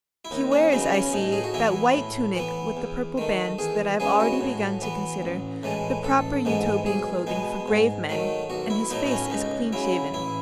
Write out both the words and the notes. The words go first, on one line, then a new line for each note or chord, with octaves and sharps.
He wears, I see, that white tunic with the purple band that I have already begun to consider the proper Utopian clothing for grave men, and his face is clean shaven.
E4
D#2 D#4
C#4
C#3 F#3 B3 D#4
C#4
A2 D#4
G#4
F#4
E3 B3 E4
A2
E3 B3
E2
D#3 A3
E2 G#4
C#3 G#3 B3 G#4
F#4
A2
E3 B3
A1
A2 E3 G#3
A1 A4
G#2 E3 G#3 B3
B1 G#4
B2 G#3 B3
G#2
D#3 F#3 A3
B1 F#4
E4
A2 F#3 B3 D#4
D#4
C#4
C#2 D#4
C#3 F#3 E4
A1 E4